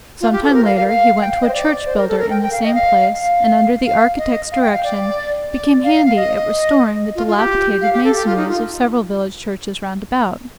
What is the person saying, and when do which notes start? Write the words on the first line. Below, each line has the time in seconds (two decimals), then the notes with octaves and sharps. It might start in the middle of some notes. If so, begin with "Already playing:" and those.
Some time later he went to a church-builder in the same place, and under the architect's direction became handy at restoring the dilapidated masonries of several village churches round about.
0.21 F4
0.32 G4
0.43 A4
0.50 C5
0.54 A#4
0.65 F5
0.76 F5
0.88 F5
1.15 F5
1.21 G5
1.31 F5
1.42 D#5
1.48 C5
1.53 D5
1.86 C5
1.97 A#4
2.08 A4
2.19 A#4
2.30 G5
2.42 G5
2.52 F5
2.64 D#5
2.75 F5
3.18 F5
3.85 F5
4.18 D#5
4.51 F5
4.61 G5
4.73 F5
4.84 D5
5.50 D5
5.83 F5
5.94 F5
6.05 F5
6.16 D#5
7.15 F4
7.27 F4
7.37 G4
7.81 F5
7.93 G4
8.04 A4
8.15 G4
8.26 F4
8.36 D#4
8.48 F4